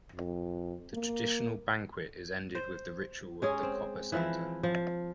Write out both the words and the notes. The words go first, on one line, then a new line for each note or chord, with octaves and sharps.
The traditional banquet is ended with the ritual of the "Copa Santa".
F2
A#3
C5
G#3 C#4 G#4
C4
E3 F3 E4
F3